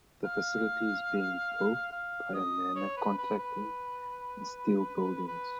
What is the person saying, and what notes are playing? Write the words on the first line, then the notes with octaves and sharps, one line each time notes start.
The facility is being built by Amana Contracting and Steel Buildings.
F5
F5
D#5
C#5
B4
B4
B4
B4